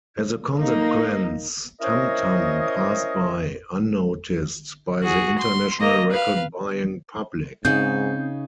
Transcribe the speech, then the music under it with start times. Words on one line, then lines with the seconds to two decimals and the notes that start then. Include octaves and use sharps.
As a consequence, "Tam-Tam" passed by unnoticed by the international record-buying public.
0.57 A#3 D#4
1.81 C#4 E4 A#4 C5 C#5 D#5
5.02 F#4 G#4
5.39 C6
5.80 A#3 D#5
6.11 B4 F5
7.65 G#2 C#3 C4 D#4 G6